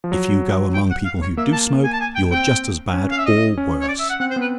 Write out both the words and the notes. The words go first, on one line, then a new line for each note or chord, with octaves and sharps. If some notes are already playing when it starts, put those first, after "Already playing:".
If you go among people who DO smoke, you're just as bad, or worse.
F3
F#3
G5
F#5
F5
C#5
A#3 E5
A5
G#5
A5
G#5
G5
C4 G5
C#4
F5
E5
D#5
C#4
C#5
D5
E5
F#5
C4 F#5
C5
B3
B4